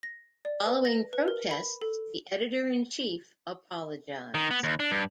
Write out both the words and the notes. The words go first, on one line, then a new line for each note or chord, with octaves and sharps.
Following protests the editor-in-chief apologized.
A#6
D5
B4
A#6
B4
A#4
B5
A4
D#3
B3
D#2
D4
G2